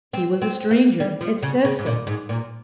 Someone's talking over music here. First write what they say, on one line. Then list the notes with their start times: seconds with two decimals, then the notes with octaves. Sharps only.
'He was a stranger; it says so.
0.13 C4
0.42 C4
0.71 A#3
1.00 G3
1.21 F3
1.43 C#3
1.65 C#3
1.79 G#2
1.86 A#2
2.07 G#2
2.29 A#2